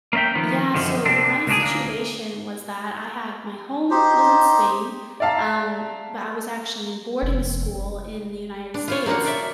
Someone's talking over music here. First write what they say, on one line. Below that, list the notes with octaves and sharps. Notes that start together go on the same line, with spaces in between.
Yeah, so my situation was that I had my home was in Spain, um, but I was actually in boarding school in the United States,
A#3 C#4 D#5 E5 G5
D#3 F3 B3
F#2 D3 D#3 F3
C3 C4 D4
C#2 A#2 D4 G#4
D2 A#3
D#4 G4 C5
D5 E5 F5 A5 A#5
F1
D4
F4 C5 C#5
F#3 A#3 D4 F4 F#5
F4 D5 E5